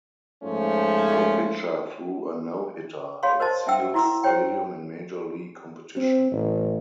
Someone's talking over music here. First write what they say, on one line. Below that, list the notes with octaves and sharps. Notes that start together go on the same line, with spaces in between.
No pitcher threw a no-hitter at Seals Stadium in Major League competition.
G#2 F3 A3 C#4
G#4 C#5 F5 B5 C6
F#4 A#4 C5 D#5 A5
E5 F#5 G5 E6
E4 F#4 A#5 D6 E6
G4 C5 C#5 G5
C4
A1